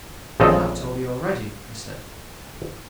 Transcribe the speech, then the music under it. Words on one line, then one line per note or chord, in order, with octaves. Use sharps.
"I have told you already," I said.
A#1 C#3 C4 A4 D#5 F5